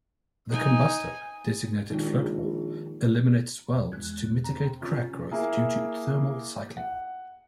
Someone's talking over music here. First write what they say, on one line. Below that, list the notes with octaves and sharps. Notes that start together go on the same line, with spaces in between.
The combustor, designated Floatwall, eliminates welds to mitigate crack growth due to thermal cycling.
D#4 G#5
A#1 D#3 G#3 D#4
E2
E2 G#3 F#6 G#6
C4 A#5
C3 C#4 F4 A6
A#3 E4 G#4
F#5